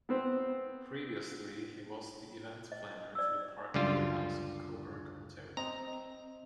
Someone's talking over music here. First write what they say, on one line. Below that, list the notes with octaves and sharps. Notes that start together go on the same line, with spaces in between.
Previously he was the event planner for the Park Playhouse in Cobourg, Ontario.
B3 C4 C5
D#5
D5 E6
C#2 F#2 D3 G3 F4
C4 D#5 A#5